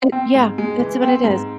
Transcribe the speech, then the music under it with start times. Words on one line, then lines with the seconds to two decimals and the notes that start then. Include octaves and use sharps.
Uh, yeah, that's what it is.
0.12 C4
0.35 G#2
0.58 G#3
0.80 E3
1.03 C4
1.24 G#2